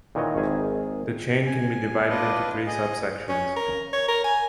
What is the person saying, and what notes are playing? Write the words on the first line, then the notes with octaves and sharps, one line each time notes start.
The chain can be divided into three subsections.
A#2 D#3 E3 A#4 C#5 D#5
G#1 D#3 G#4 E5 G#5
G#5
D4 F4 B4 D5 D#5
G#4 D#5
C#4
A#4
C#5
A#4
G#5